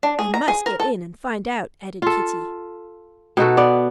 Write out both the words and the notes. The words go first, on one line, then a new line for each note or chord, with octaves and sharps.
"We must get in and find out," added Kitty.
D4
G#4
A#5
G#4
A#4
A4
F4 A4
B2 D#4 F#4 A4
B3 D5